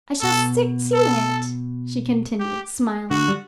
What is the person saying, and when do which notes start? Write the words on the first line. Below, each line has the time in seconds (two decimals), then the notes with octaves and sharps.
"I shall stick to it," she continued, smiling.
0.21 B2 A4
0.94 A4
2.39 G4
3.11 D3 F#4
3.28 G3